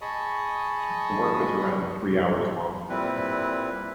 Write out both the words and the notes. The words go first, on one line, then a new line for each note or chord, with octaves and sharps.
The work is around three hours long.
G#4 D#5 A5 B5 C#6 D#6
A#2 G3 C4 E4 B4